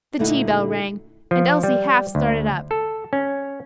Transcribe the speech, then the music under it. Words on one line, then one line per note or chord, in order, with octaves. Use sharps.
The tea-bell rang, and Elsie half started up.
D2 A#2 D3 D#4 E4 F#5
F3
G3
D2
A4
C#4